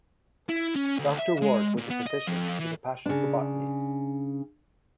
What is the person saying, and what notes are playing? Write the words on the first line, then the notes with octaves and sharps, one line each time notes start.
Doctor Ward was a physician with a passion for botany.
E4
C#4
D2
E5
G#3
A#2
B3
D#5
F2
E3
C#3 D4